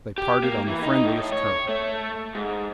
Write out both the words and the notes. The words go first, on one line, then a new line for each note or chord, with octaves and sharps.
They parted on the friendliest terms.
G4
A#3
E3
D#4
A2
C#5
A3
G#2